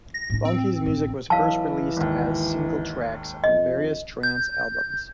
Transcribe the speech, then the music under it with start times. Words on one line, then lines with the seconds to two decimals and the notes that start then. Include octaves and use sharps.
Bonky's music was first released as single tracks on various trance albums.
0.14 A#6
0.30 A2 D4
0.45 C4
0.86 A1
1.30 B1 E3 F5 A5 E6
1.97 G#1 D#2
3.44 F2 D#5
4.23 G6